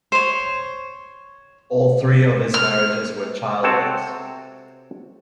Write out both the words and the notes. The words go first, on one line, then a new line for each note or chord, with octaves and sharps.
All three of his marriages were childless.
C5 C#5
F6
C3 C4 F#4 A4 C#5 A5